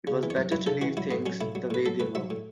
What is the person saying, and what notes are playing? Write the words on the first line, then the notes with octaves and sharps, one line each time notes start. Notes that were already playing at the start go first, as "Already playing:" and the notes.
It was better to leave things the way they were.
C#3
E3
C#5
F#2
F#2 E4
C#3 A4
E3 F#4
F#3 E4
A2 B3
F#3 C#4
A2 E4
F#3
A2 B4
F#3 A4
A2 B4
F#3 E5
A2